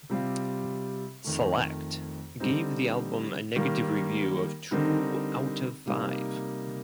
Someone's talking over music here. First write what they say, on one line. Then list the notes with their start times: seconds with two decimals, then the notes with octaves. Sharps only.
"Select" gave the album a negative review of two out of five.
0.09 C3 G3 C4 F4
1.24 F2 D#3 A3
2.40 D3 G3 C4 D#4
3.56 D#3 G3 A#3
4.71 D3 G3 C4 D#4 A#4
5.86 C3 G3 A#3 D#4